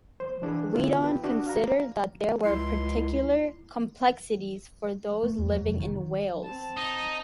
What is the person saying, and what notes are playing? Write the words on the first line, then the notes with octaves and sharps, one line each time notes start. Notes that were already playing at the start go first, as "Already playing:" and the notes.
Weedon considered that there were particular complexities for those living in Wales.
C5
E3 D4 G#4 B4
D3 B3 D4 E4 F4
G4 B4
D4 F#4
F5 A#5
C#2 E4 C6
A3
E2
F#3
F1
D#3
C4 A5
D#4 D#6